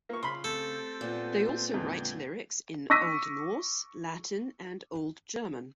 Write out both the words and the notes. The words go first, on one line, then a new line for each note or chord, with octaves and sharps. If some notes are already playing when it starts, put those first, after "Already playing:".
They also write lyrics in Old Norse, Latin, and Old German.
A#3 F4 C#6
C#3 B5 C6
A3 C4 G4 A4
A#2 B3
F2 D3 G#3 G5
C#6 D6 E6 A#6 B6 D#7